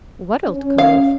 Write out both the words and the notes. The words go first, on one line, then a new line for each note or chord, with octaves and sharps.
"What old cove?"
C#4
F5